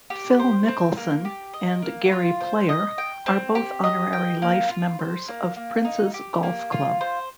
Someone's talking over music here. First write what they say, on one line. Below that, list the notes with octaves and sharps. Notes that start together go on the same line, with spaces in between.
Phil Mickelson and Gary Player are both honorary life members of Prince's Golf Club.
G4
C5
C4
A#3
G4
D#5
A#3
F4
C5
D#5
G5
C4
G4
D#5
G5
A#3
F4
C5
A#3
A#3
D#4
G4
A#3
F4
C5